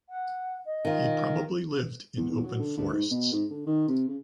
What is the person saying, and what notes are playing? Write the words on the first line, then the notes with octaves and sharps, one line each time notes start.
He probably lived in open forests.
F#5
D#5
D#3 F4
E2
E2
F#3
D3
D2
G#2
B2
G#2
D3
D#3
C3
C#3